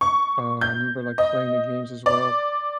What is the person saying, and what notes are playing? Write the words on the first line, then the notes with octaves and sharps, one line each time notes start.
Uh, I remember, like, playing the games as well.
C#6
G6
D#5
D5